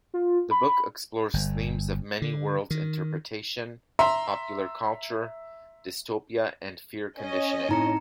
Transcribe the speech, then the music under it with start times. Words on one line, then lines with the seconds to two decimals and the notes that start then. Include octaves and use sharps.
The book explores themes of Many-worlds interpretation, Popular culture, Dystopia and Fear conditioning.
0.14 F4
0.51 B5
1.34 G1
2.22 D3
2.71 D#3
3.99 E5 A#5 C6
7.18 C#4 D#5
7.69 A2 C4 D#4 A#5 C#7